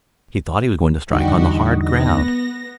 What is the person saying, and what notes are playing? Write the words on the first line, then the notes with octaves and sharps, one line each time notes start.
He thought he was going to strike on the hard ground.
E2 D3 G3 D#4 F#4 G4
B3 A#6